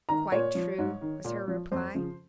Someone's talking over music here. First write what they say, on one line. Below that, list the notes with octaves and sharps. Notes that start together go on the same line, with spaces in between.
"Quite true," was her reply.
D#3 A#5
A#2 C#5
F3
G#2
D#3
A#2
F3
F2 C5
C#3 F3